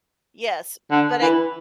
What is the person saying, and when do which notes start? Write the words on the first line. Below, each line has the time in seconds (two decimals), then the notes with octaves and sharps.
Yes, but I
0.91 D3
1.22 E3